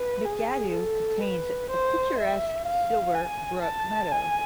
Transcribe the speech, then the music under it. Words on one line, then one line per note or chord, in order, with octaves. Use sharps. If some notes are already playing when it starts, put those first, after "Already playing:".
McAdoo contains the picturesque Silver Brook Meadow.
Already playing: B4
G#4
A4
B4
C5
E5
F5
G#5
A5
G#5